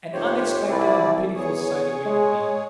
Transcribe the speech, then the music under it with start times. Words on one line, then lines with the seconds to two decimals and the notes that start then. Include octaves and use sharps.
An unexpected and pitiful sight awaited me.
0.14 F1 G4 C5 C#5
0.69 C2 E4 D5
1.35 E2 G#4 C#5
2.06 G#3